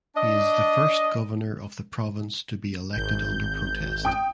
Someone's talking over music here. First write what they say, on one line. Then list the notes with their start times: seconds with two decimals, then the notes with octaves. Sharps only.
He is the first Governor of the province to be elected under protest.
0.16 D4 D#5
2.93 G#1 G6
4.05 G5 D#6 D7